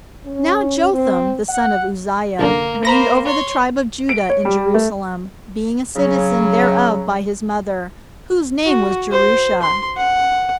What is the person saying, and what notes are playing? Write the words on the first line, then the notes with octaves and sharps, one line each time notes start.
Now Jotham the son of Uzziah reigned over the tribe of Judah in Jerusalem, being a citizen thereof by his mother, whose name was Jerusha.
C#4
C4
F#5
C2 F#2 D3 A#3
A#3 C5 A#5 B5 A#6
C#5 C6
D7
C#5
G3
A3
C#3 F#3
F#4
C5
C6
F#5